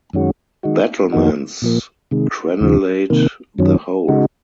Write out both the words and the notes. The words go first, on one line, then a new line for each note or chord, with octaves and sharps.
Battlements crenellate the whole.
F#2 D#3 G#3 C#4 F#4
D#3 G#3 D#4 F#4
F2 D#3 A#3 D#4 F#4
A#2 F3 A#3
C3 D#3 G#3
D#2 C#3 F3
C3 D#3 A#3
F#2 D#3 F#3 C#4
C#3 G#3 D#4 F#4